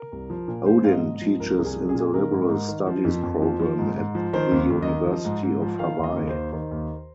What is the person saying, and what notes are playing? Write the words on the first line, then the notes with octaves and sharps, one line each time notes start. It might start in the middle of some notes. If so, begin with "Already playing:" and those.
Odin teaches in the Liberal Studies program at the University of Hawaii.
Already playing: A#4
C2
F3
A#2
F3 C5
G#2 F5
D#5
G#2
D#5
F3
C2 A#4
C2
G#4
F3
G#4
A#2
D#3 A#4
G#2
G#2
D#3
F3
F2
F2
F3
F3
G#2
G#2
F3
D#3 C5
D#2
D#2
D#5
D#3
F3
G#2
G#2
F3
D#3 F5
D#2
D#5
D#2
C5
D#3
D#3 C5
D#2